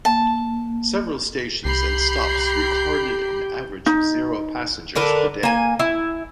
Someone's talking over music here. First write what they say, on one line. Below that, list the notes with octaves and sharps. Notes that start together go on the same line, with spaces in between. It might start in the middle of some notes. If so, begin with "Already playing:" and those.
Several stations and stops recorded an average of zero passengers per day.
A#3 A5
C2 G4 A#5 B5 G6 C7
D#4
D3 D4 A#4 B4
A#3 G#5
E4